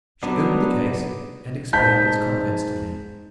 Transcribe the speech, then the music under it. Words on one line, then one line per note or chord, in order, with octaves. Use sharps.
She opened the case, and explained its contents to me.
F#3 B3 D4 D#4
G#2 A5 G6 B6